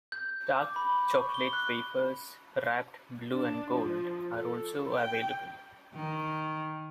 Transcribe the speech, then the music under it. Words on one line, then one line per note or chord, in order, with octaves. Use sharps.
Dark chocolate wafers, wrapped blue and gold, are also available.
G6
D6
B5
C#6
G7
F#6
D4
F3
A4
G5
D#3